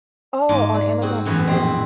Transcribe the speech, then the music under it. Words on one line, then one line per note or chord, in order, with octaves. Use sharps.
Oh, on Amazon Prime?
G#2 F5 D6
D4
C4 F#4 G#4
F#2 A2 E3
A#1 B2 C4